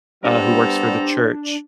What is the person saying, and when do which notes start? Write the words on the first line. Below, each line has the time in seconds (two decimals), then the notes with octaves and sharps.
uh, who works for the church,
0.24 G3 B3 D4 G4 A4 C5 A#5